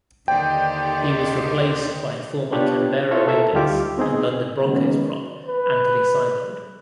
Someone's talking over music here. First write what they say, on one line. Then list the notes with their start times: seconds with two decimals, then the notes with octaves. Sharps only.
He was replaced by former Canberra Raiders and London Broncos prop Anthony Seibold.
0.28 D#2 D3 D#3 G4 C5 D5 G5
2.52 B3 D4 F4 G4 B4 C#5
3.11 E4 F4 A4 C5 C#5 E5
3.28 A4 A#4 E5
3.53 D2 G3 D#4 F4 G4 D6
3.98 B3 C4 D#4 G#4
4.63 D#3 F#3 G#3 A#3 B3 C#4
5.48 B4